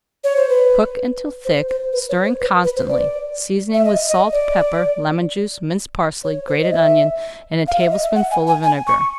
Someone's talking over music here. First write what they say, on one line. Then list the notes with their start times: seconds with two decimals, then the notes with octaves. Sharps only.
Cook until thick, stirring constantly, seasoning with salt, pepper, lemon-juice, minced parsley, grated onion, and a tablespoonful of vinegar.
0.24 C#5
0.36 C5
0.49 B4
1.45 C5
1.69 C5
1.93 B4
2.09 C#5
2.25 C5
2.40 B4
2.64 B4
2.76 C5
2.89 D5
3.74 E5
3.85 D#5
4.08 D#5
4.32 D5
6.24 C#5
6.48 C5
6.62 D#5
6.72 E5
7.68 F5
7.80 E5
7.91 D#5
8.03 E5
8.15 F#5
8.31 G#5
8.47 G#5
8.63 G#5
8.87 C#6